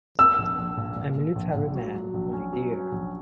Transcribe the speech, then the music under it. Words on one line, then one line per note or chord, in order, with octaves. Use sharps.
A military man, my dear.
A#3 E6
A#1
A#1
A#2
A#2
A#2
A#1
A#2
F#3
F#3
A#1
C#4
F#3
C#4
A#1